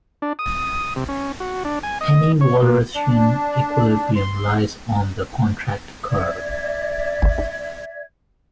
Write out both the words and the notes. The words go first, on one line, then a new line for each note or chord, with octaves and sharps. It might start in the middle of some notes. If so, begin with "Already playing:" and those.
Any Walrasian equilibrium lies on the contract curve.
D4
D#6
C3
C#4
F#4
D4
G#5
D#5
C#5
A#2
D4
C6
D5 E5 G#6